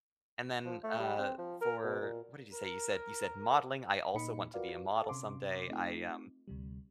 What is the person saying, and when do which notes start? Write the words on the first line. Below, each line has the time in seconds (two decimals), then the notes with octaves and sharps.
And then, uh, for what did you say? You said you said modeling, I also want to be a model someday. I, um
0.65 F3
0.83 A3
0.99 G3
1.18 C4
1.38 F3
1.61 A#4
1.84 B2
2.01 A#2
2.51 A#4
4.14 A#2 A#3 D#4 D#5 B5 C#7
4.54 F4 F#4 A#4 B4 D5 F5
4.96 A4 E5 F5 A5
5.09 C3 C#4 C6 D6
5.69 A3 C4 D#4 F4
6.48 D2 C3 G3